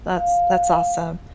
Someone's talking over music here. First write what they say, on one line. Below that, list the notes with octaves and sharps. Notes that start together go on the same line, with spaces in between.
That's that's awesome,
F5